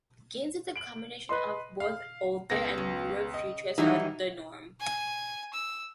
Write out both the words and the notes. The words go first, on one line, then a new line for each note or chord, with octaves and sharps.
Games with a combination of both older and newer features are the norm.
D7 F#7
B4 D#5 C6
F5
C#2 B3 A#6
C#3
D#5
D#3 E3 F#3 G3 D#4
G#5
E6